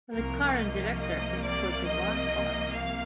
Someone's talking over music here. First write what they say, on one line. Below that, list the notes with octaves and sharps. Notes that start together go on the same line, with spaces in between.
The current director is Scotty Barnhart.
C2 C3 F3 A#3 A#4
D#5
D#5
D5
D#5
F5